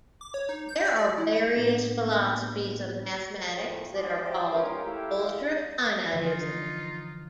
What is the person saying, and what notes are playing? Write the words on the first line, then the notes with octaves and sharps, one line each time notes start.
There are various philosophies of mathematics that are called ultrafinitism.
D6
C#5
D#4
G6
D5
D5
E4
A2 A#3 B3 D4 G4
F2 A2
B1 B2 G#3 D5
E4 G4 C5 D5
G#3 C#4 D#4 F4 G4 A#4
A3 E4 G4 F5
D3 E3 F3 D#4 F4